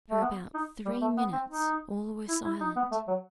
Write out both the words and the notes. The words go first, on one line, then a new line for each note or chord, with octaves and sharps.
For about three minutes all were silent.
A3
B3
D#4
G3
A3
B3
C4
D#4
E4
E4
D#4
B3
A3
F#3